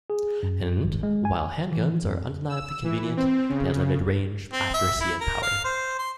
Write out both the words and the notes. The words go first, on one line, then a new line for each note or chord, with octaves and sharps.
And, while handguns are undeniably convenient, they had limited range, accuracy and power.
G#4
F#2
G#1
G#3
G#5
E3
F2
E6
E3
C4
C#3
C4
E5
E4
A#4
F5
C5
C6